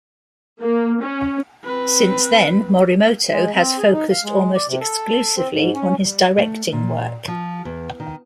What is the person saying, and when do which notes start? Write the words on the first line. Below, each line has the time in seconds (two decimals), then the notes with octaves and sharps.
Since then, Morimoto has focused almost exclusively on his directing work.
0.59 A#3
1.01 C#4
1.64 C4 B4
3.32 G#3
3.55 C4
3.78 G#4
3.93 D#4
4.10 F5
4.24 G#3
4.55 D5
4.68 C3
4.81 A4
5.36 C4
5.51 G#2
5.74 C#4
6.05 G3
6.38 A3
6.72 A#2
7.28 F3
7.65 E2
8.00 D#3